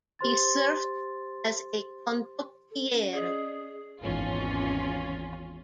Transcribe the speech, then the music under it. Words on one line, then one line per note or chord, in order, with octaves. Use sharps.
He served as a condottiero.
G4 C5 C6 A6
A4
C#4
G#4 D5 D#5
G#1 E2 C#4 F4